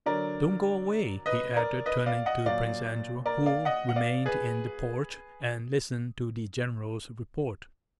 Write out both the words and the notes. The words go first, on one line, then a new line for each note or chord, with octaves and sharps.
"Don't go away," he added, turning to Prince Andrew, who remained in the porch and listened to the general's report.
D3 F#3 A#4 D5
B4 D#5
A#4 D5
B4 D#5
D5 F5
D#5 F#5
A#2 F#3 D5 F5
A#4 D5
D5 F5
D#5 F#5
F#5
D5 F5
G#4 B4